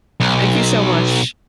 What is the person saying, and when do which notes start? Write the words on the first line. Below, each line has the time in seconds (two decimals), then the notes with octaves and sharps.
Thank you so much.
0.20 B1